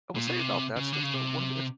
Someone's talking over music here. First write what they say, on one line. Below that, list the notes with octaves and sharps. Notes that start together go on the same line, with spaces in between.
I will say about that stuff though, one of the it's
A#2
B2
C3
C#3
D3
C#3
C3